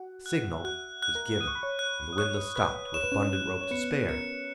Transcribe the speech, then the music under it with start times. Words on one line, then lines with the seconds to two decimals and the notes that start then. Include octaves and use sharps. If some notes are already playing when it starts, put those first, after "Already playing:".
The signal was given and the windlass stopped, with abundant rope to spare.
Already playing: F#4 F#5
0.26 F#6
0.53 E5
0.64 F#4 F#5 F#6
1.03 F#6
1.15 A#4 A#5
1.41 D#6 D#7
1.48 C#6
1.55 B5
1.63 C#5 C#6
1.79 F#6
2.13 D#6
2.18 C#5 C#6 F#6
2.56 B4 B5 F#6
2.94 C#5 E7
3.03 B4
3.12 C#4 C#5
3.33 F#6
3.61 C#5
3.71 B3 B4 C#7
4.09 A#4 C#7